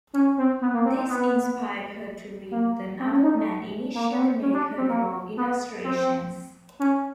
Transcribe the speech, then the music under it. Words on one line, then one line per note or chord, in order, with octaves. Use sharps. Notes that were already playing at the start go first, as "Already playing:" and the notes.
This inspired her to read the novel and initially made her draw illustrations.
C#4
C4
B3
A#3
C4
C4
B3
A#3
C4
C#4
D#4
A3
A#3
B3
C4
C#4
D4
C4
A#3
B3
C4
C#4